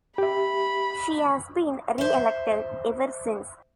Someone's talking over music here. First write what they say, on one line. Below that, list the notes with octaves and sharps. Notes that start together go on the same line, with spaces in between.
She has been reelected ever since.
G4 E5 B5
C5 E5